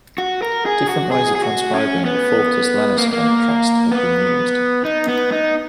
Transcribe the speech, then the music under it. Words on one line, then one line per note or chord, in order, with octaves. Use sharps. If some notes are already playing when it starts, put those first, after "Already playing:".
Different ways of transcribing the fortis-lenis contrast have been used.
F#4
A#4
G#4
F#4
G#4
G#4
F#4
C#4
B3
A#3
A#3
B3
D#4
B3
D#4